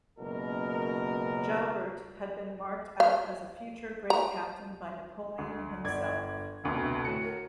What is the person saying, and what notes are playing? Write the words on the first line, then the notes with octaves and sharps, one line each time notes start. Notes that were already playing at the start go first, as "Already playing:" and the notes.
Joubert had been marked out as a future great captain by Napoleon himself.
F#1 C#2 B2 A#4
F5
A#5
D2
G1 D5 G#6
F1 D2 B2
A2 F#4 C#7
A#4